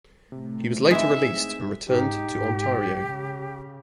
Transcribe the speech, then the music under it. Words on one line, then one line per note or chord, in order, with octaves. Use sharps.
He was later released and returned to Ontario.
A2 C3 A3
E3 G#3 C4 D#4 G#4 E5
G#2 D#4 G4
G#2
C#3